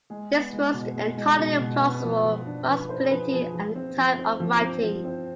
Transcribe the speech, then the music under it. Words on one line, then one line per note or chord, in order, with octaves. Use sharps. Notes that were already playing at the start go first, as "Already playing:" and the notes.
This was an entirely plausible possibility at the time of writing.
G#3 G#4
B3
G#3
B2
G#3
G#3
B2
B2
B3
F3
F3
D4
F3 B4
D4 C5
G#4
F3 B4
F3 G#4
F3
C4
F3
C4
F3
C4
F3
C4